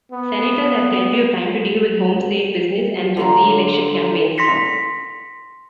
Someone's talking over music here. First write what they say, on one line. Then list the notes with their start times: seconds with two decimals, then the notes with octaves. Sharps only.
Senators had plenty of time to deal with home-state business and reelection campaigns.
0.12 B3
3.17 D3 F#3 F4 A#5
4.38 C6 A#6 B6 C#7